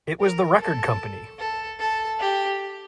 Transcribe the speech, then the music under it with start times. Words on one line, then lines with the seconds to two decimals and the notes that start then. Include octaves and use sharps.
It was the record company!
0.20 A#4
0.60 A4
1.39 A4
1.79 A4
2.19 G4